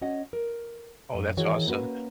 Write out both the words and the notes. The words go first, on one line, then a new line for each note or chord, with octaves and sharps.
Oh, that's awesome.
C#4 F#4 D#5 F#5
A#4
F#2
D#3 E3 D#4 F#4 G#4 C#5
A#3 C#4 F#4 B4